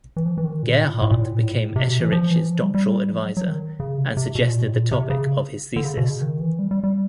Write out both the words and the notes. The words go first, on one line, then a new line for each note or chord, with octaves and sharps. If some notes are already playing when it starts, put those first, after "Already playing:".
Gerhardt became Escherich's doctoral advisor and suggested the topic of his thesis.
E3
F3
E3
D#3
A#2
A2
A#2
A2
A#2
A2
A#2
A2
A#2
A2
C3
B2
E3
F3
E3
F3
G3
G3
F3
F#3
F#3
D#3
C#3
C3
C3
B2
A#2
B2
A2
A#2
C3
C#3
D3
C#3
B2
C#3
D#3
E3
G3
G3
G3